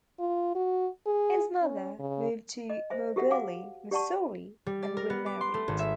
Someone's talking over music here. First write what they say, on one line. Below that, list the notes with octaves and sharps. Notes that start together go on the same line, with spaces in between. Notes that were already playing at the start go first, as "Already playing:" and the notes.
His mother moved to Moberly, Missouri and remarried.
F4
F#4
G#4
C#4
C#3
D#5
C5 E5 G#5
F#4 G4 A4 E5 F#5
F5 F#5 G#5 D6
G4 D5 F#5 A5 C#6
G3
D5
A#4
B3
D6
C6
A3
G#1
E5